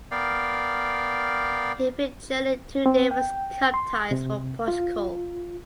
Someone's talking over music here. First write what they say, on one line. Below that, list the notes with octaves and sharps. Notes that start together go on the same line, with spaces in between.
He featured in two Davis Cup ties for Portugal.
B3 A#4 D5 F5 G5
C4
G5
C6
C3
F4